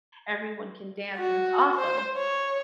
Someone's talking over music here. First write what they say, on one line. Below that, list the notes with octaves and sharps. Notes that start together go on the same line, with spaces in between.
everyone can dance, and it's awesome.
F#4
C5
C#5